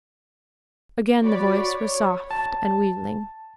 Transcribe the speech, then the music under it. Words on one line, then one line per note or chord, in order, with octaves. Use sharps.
Again the voice was soft and wheedling....
F#4 C#5 D5 B5
C#5
A5